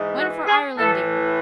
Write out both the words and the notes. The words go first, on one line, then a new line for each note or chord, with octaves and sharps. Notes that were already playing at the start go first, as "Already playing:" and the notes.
When for Irelandear.
Already playing: G#2 E3
F#4
G#4
A2 E3 A4